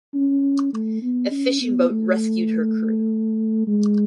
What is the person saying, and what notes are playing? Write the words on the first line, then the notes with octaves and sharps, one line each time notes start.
A fishing boat rescued her crew.
C#4
A3
B3
C#4
B3
A3
G#3